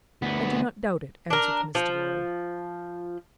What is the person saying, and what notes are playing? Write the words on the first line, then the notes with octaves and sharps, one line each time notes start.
"I do not doubt it," answered Mr. Lorry.
D2 B3
D4 A#4
F3